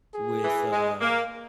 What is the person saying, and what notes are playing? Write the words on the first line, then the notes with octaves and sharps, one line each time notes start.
with, uh,
G#4
E3
G#3
A#3